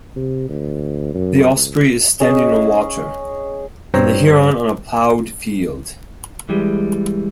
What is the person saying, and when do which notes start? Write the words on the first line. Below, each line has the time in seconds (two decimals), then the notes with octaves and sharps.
The osprey is standing on water, and the heron on a ploughed field.
0.16 C3
0.49 D2
1.14 F#2
1.54 C#2
2.20 C#4 G#4 D#5
3.94 G2 C4 C5 C#5 A#5
6.49 E3 G3 G#3